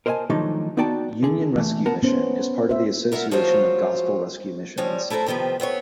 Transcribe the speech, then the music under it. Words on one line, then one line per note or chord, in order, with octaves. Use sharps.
Union Rescue Mission is part of the Association of Gospel Rescue Missions.
A#4 C5 D#5 E5 G#5 A5
D#3 F3 F#3 A3 D4 D#4
B3 D#4 F#4 D5 G5 A5
D3 G#4
E3 A3
B3 A#4 F#5 A5
B3 C#4 C5
C5 E5
B3 A#4 E5 F#5
F3 F#3 G#3 F4 C5 C#5
F3 G3 G#3 C#5
A3 E4 A4 A#4 C5
C3 D#3 F3 B3 G4
B3 C4 B4 C#5